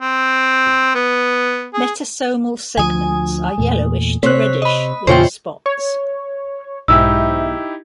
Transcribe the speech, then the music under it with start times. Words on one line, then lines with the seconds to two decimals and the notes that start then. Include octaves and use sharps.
Metasomal segments are yellowish to reddish with the spots.
0.02 C4
0.95 B3
1.74 G#4
2.77 D2 F3 G#5 D#6
3.58 E2 A#2 A3
4.23 C3 C4 C#5 F#6 B6
4.62 D#5 B5
5.07 E2 A#2 C#3 E3 F4 C5 C#5 G5
5.66 C#5
6.88 B1 G#2 D#4 E4 G4 E5 E6